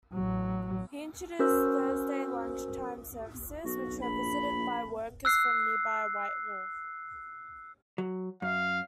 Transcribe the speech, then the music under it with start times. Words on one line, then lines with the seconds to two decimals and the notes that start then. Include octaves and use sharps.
He introduced Thursday lunchtime services, which were visited by workers from nearby Whitehall.
0.14 A1 F#3
1.39 C#4 F#4 A#4 C5 E6
3.64 B1 F#4
4.02 A#1 B5
5.25 E6 F#6 C7
7.98 F#3
8.42 F#2 F5